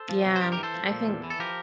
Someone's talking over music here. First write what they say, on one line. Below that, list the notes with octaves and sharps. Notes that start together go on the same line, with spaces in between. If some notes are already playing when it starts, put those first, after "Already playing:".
Yeah, I think
Already playing: A4 C5
F3
C3
C5
G2 G4 A#4
G4 A#4
E3
A4 C5
F3
A#2
E2
E3
A4
F3 G4 A#4